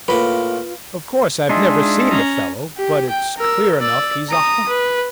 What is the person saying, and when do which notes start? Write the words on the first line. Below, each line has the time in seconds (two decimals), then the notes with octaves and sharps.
"Of course I've never seen the fellow, but it's clear enough he's a humbug."
0.08 A2 A#3 F4 B4
1.49 G#3 D4 D#4 F4 G#4 E5
2.11 C#4 A#5
2.77 G4
3.09 G5
3.38 A#4 E6
3.80 D5 E6
4.29 A#5 D#6
4.69 B4